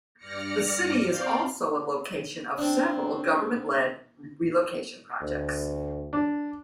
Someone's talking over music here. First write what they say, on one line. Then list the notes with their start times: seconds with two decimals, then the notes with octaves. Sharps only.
The city is also a location of several government-led relocation projects.
0.18 G2 D5 F6 A#6 C#7
1.03 C4 D5 F5 G5
2.58 C4 D4
5.21 D2
6.13 D4